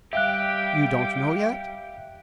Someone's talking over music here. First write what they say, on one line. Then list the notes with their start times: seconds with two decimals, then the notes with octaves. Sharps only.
"You don't know yet?"
0.13 G3 G4 E5 F5 G5 F#6